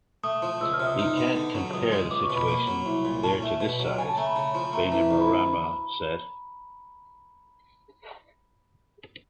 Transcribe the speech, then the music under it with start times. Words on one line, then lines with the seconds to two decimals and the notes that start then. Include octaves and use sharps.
He can't compare the situation there to this side, Bainimarama said.
0.24 A3 D#6
0.42 F3
0.61 C#2 E6
0.73 F6
0.80 C3
0.87 D#6
0.99 D#4
1.17 B3
1.36 D3
1.55 F#3
1.73 C#2 D#6
1.92 G#3
2.11 C#2 D6
2.23 C#6
2.30 B2
2.36 B5
2.48 A#3
2.67 F#3
2.86 C2
3.05 A#2
3.24 C#4 A5
3.42 A3
3.60 B2
3.80 F#3
3.98 C#3 G#5
4.08 A5
4.17 A3 A#5
4.26 B5
4.36 C#3
4.55 F3
4.73 A3 A#5
4.92 E3 A#5
5.11 D2 A#5
5.21 B5